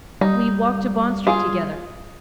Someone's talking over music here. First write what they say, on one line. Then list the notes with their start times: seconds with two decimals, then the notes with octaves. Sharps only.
We walked to Bond Street together.
0.21 G3 D#4
1.27 F4 G#4